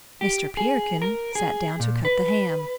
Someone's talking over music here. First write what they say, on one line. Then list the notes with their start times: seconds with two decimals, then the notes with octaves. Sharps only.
Mr. Peterkin sat down to cut the ham.
0.21 G4
0.57 G#4
1.02 A#4
1.35 G#4
1.80 A#2
2.05 B4